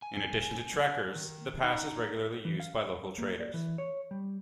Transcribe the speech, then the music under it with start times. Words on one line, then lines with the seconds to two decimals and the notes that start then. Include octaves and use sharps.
In addition to trekkers, the pass is regularly used by local traders.
0.02 G#5
1.15 D#3
1.63 D#4
2.45 E3
2.60 F5
3.18 A#3
3.40 D5
3.54 E3
3.78 C#5
4.11 G3